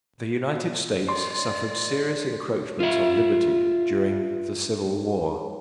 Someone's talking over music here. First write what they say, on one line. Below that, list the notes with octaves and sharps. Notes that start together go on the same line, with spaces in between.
The United States suffered serious encroachments on liberty during the Civil War.
C#5 D5 C6
F4 E5